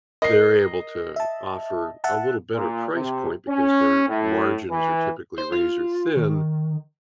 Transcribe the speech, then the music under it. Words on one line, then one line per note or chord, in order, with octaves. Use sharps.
they're able to offer a little better price point because their margins are typically razor thin,
A#4 D#5 C7
E5 A5
E5 F#5 A5
A#2
C3
C#4
A2
E3
C5
F4
D#3